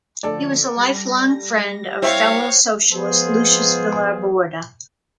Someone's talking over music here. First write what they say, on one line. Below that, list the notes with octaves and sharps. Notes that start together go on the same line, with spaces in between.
He was a life-long friend of fellow socialist Luis Villar Borda.
D3 F3 A3 A4 D5
G3 A#6
C4 E4 C#5 E5 F5
F3 G#3 B3 F4 G#4 C5